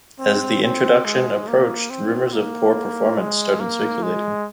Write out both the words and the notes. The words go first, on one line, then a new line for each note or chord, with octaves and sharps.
As the introduction approached, rumors of poor performance started circulating.
C4
C4
G#3
A#3
C4
A#3
G#3
A#3
G#3